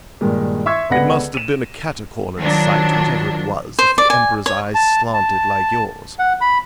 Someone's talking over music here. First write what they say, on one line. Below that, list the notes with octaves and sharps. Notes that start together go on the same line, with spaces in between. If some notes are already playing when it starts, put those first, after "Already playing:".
"It must have been a catacornered sight, whatever it was, if the Emperor's eyes slanted like yours."
G2 A#2 D#3 G#3
E5 C6 C#6 E6 G#6
C#2 D3 B3 B4 F#5 A#6
D#7 E7
D#3 F3 F#3 D4
C5
D5
G#5
C#5
A5
A5
F#5
B5